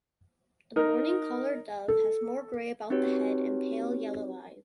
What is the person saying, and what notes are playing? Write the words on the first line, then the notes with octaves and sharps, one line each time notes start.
The mourning collared dove has more grey about the head, and pale yellow eyes.
D#4 A#4
A4
C4 D#4 F#4 G4 B4 C#5